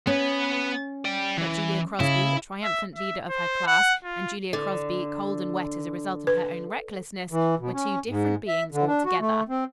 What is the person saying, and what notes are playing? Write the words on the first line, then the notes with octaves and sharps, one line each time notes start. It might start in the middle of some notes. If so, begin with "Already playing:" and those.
But Julia Crosby, triumphant leader of her class, and Julia Crosby cold and wet as a result of her own recklessness, were two different beings altogether.
B3 C#4 B4
D5 G5
E3
C#3 E4
E5
E5
C5
F#5
F4
D3
B4
E3
B2
C#4
G#2
E5
D3
D4
F#4
A3
C4